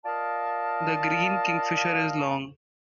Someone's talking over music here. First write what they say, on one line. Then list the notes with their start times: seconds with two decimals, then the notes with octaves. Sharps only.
The green kingfisher is long.
0.04 F4 A#4 D5 D#5 F5 A5